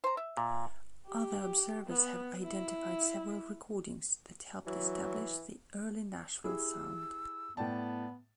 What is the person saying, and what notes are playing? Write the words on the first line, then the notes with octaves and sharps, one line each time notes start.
Other observers have identified several recordings that helped establish the early Nashville sound.
C5 A#5
E5
A#2
G4
B3
E4
E3 F#3
E4 G4 G#4 E6
A2 B3 D5 G5 A5